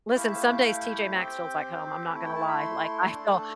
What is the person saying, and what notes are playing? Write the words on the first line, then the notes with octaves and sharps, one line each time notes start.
Listen, some days TJ Maxx feels like home, I'm not gonna lie. Like, I feel
A3 E4 G4 F5
E5
F5
C4 G4 G5
A3 E4 A4
G5
A5
B5
C6
A3 D4 A4